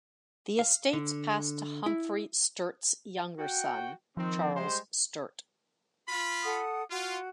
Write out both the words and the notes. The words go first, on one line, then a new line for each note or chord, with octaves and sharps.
The estates passed to Humphrey Sturt's younger son, Charles Sturt.
F5
D3
E4
F#4 G5
D#3 F3 C4
G3 G#3 C5
F4 B5
A4 F#5 D#6
F4 F#4